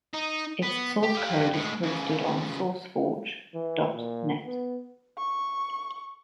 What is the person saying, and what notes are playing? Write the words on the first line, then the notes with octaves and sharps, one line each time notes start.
Its source code is hosted on SourceForge dot net.
D#4
B3
G4
G4 F5
A2 G#3
C#3 E3
E3
A#2
B3
C#6